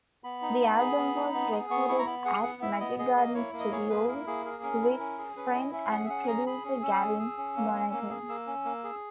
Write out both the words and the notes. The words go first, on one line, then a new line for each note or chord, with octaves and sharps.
The album was recorded at Magic Garden Studios with friend and producer Gavin Monaghan.
B3 B5
D#4
B3
G#4
B3
D#4
B3
G#4
B3 C#6
E4 C#6
A#5
B3 B5
G#4 F#5
B3 F#5
E4 E5
B3 D#5
G#4 D#5
A#3 D#5
E4 C#5
A#3
D#5
G#4 C#5
A#3 B4
E4 A#4
A#3 G#4
G#4 A#4
C#4 A#4
E4
C#4
G#4
C#4 B4
E4 D#5
C#4 E5
G#4 F#5
E5
C#4 F#5
G#5
G#4 A#5
G#4 B5
C#4
C#4 E6
G#4
G#4
C#4
A#3
C#4
A#3
G#4
A#3 E6
C#4
A#3
G#4